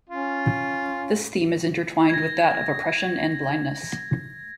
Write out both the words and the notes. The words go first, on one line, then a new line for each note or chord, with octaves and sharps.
This theme is intertwined with that of oppression and blindness.
C#4 F4
G#6 A#6